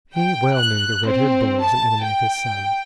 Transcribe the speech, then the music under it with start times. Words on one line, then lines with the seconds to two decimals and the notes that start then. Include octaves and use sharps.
He well knew the red-haired bully was an enemy of his son.
0.14 G5
0.54 F#6
1.05 C4
1.60 A5
2.02 G5